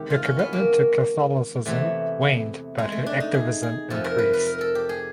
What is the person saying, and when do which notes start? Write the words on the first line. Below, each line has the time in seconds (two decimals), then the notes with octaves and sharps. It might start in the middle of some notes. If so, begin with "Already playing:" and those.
Her commitment to Catholicism waned but her activism increased.
Already playing: E2 C3 D#3 G#3 G4
0.10 F4
0.25 C#4
0.39 B3
0.53 A#3
1.66 E2 C3 E3 A3
2.78 G#3
2.92 A3
3.06 D4
3.20 D#4
3.34 G#4
3.63 G#4
3.90 F2 C3 F3 A4
4.04 A#4
4.18 B4
4.33 B4
4.46 A#4
4.61 A4
4.75 G4
4.89 G#4